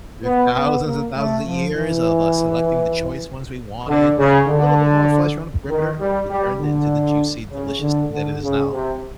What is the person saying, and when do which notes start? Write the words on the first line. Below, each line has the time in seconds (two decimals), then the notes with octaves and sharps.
through thousands and thousands of years of, uh, selecting the choice ones we wanted that had a little bit more flesh around the perimeter, we turned it into the juicy, delicious thing that it is now.
0.25 B3
0.55 B3
0.85 A#3
1.16 A3
1.46 F3
1.76 E3
3.88 D3
4.18 C#3
4.48 D3
5.69 D#3
6.00 G3
6.29 G3
6.60 D3
7.52 C#3
7.81 D3
8.12 D3
8.42 C#3
8.72 C3